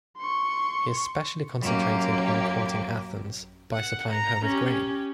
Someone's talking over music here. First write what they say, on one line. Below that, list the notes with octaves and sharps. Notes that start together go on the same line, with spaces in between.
He especially concentrated on courting Athens, by supplying her with grain.
C6 C#6
F#2 A#3 G4
F#5
A#5
C#4 G4